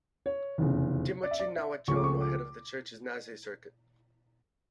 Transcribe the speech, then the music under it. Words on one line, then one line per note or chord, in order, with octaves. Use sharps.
Timoci Nawaciono, head of the church's Nasea circuit.
C#5
F1 E2 C#3
D5
E5
D5
E5
C#2 C#3 F3 A3 C#6
D6
C#6
D6